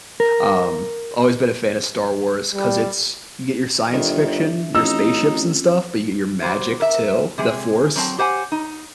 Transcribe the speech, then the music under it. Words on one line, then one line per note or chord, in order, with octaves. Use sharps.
Um, always been a fan of Star Wars 'cause it's you get your science fiction, your spaceships and stuff, but you get your magic too, The Force.
A#4
G3
G1 D#3 D4 E5
A1 C4 C#4 D#4 F4 E6
F#3 G3 C5
A#4 E5
C3 G#3 G#4
F#3 C4 A5
G4 C5 F#5 G#5
D#4